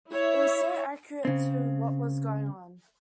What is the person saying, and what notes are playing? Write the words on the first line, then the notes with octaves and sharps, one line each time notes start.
It was so accurate to what was going on.
E4 C#5 E5
C#3 C4